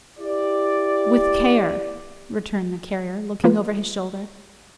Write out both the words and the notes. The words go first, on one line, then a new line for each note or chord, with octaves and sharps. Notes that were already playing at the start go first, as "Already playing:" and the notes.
"With Care," returned the Carrier, looking over his shoulder.
E4 G4 D5
F3 A#3 F4 B4